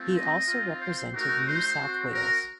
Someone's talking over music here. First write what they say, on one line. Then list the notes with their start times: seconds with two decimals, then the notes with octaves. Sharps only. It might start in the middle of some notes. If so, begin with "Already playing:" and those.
He also represented New South Wales.
Already playing: A3 C4 F4
0.15 D#5
0.48 C4 F4
0.81 C5
1.14 A3 D#4 F#4 A#4
1.47 C5
1.79 C4 F#4
2.13 A#4